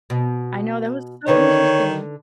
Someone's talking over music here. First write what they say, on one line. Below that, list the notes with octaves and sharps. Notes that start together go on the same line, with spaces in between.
I know that was so interesting.
B2
D3 D#3 D#4 B4 C#5